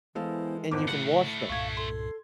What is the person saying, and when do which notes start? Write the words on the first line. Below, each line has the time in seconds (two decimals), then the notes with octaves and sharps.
And you can wash them.
0.15 E3 G#3 B3 E4 A4 C5 F5
0.71 G#1 F2 B3 E4 C5 D6
0.88 A2 C#3 A3 F#5
1.49 C2 G2 A#2 F5 C#6 G#6
1.77 A4 C6